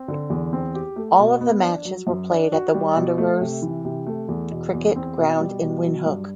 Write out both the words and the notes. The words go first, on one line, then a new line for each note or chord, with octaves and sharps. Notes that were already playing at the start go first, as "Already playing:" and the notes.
All of the matches were played at the Wanderers Cricket Ground in Windhoek.
Already playing: C4
D3
E2
C4
G4
A3
B2
B3
D4
F#3
F#2
D4
F#4
G3
B2
A3
C3
E3
C3
A3
E2
B2
E2
C4
B2
G3
B2
F#3
G2